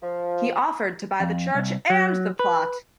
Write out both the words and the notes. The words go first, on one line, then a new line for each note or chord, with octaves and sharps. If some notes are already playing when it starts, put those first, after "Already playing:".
He offered to buy the church and the plot.
F3
F2
C2
F#3
B4